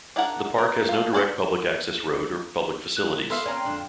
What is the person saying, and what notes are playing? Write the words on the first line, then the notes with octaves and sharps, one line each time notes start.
The Park has no direct public access road or public facilities.
D4 E4 G#4 A#4 F#5
A#4
F4 A4
F#4 C5 D5 G#5
F#6
B3 A4 E5 F5 C6
C4 C#4 D5 G#5 A#5 F6
F2 D3 D4